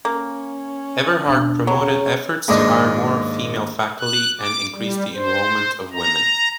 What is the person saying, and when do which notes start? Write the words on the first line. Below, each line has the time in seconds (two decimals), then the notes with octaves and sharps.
Everhart promoted efforts to hire more female faculty and increase the enrollment of women.
0.05 A#3 C#4
1.26 E2 B2 D4
1.67 C#3 F#3 C#5
2.48 D#2 G#2 D4 D#5
4.00 F#6
4.38 D6
4.73 G3
5.13 C5
5.93 A#5